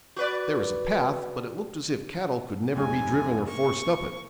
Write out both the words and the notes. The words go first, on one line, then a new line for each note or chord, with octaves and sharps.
There was a path, but it looked as if cattle could never be driven or forced up it.
F#4 B4 D5
F1 C#2 G#5
A#3 C#6